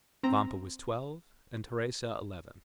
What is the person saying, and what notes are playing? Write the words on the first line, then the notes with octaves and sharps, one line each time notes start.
Vampa was twelve, and Teresa eleven.
C4 A#5